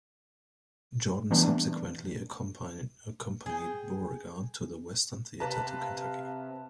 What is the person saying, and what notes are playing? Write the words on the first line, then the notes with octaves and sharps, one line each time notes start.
Jordan subsequently accompanied Beauregard to the Western Theater to Kentucky.
E3 G3 A3 B3 D4
G#4 G5
C3 B4 F5 A5 A#5